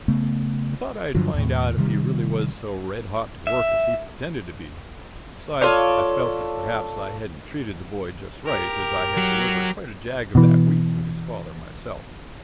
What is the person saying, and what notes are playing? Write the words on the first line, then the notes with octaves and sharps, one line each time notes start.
I thought I'd find out if he really was so red-hot to work as he pretended to be; besides, I felt that perhaps I hadn't treated the boy just right, as I had delivered quite a jag of that wheat to his father myself.
C#3 A3 B3
G2 D3 F3 F#3
D#2 A2
C3 D#3 F#3 G3
E5
F4 A4 C#5 D5
G4 A#4
F#3
B2 E3